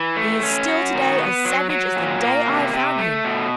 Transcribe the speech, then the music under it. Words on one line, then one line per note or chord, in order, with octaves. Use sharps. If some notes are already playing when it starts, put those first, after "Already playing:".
He is still today as savage as the day I found him.
Already playing: E3
A3
C#4
F#4
D#3
B3
F#3
F#3
A#2
A#3
C3
C3
A3
B2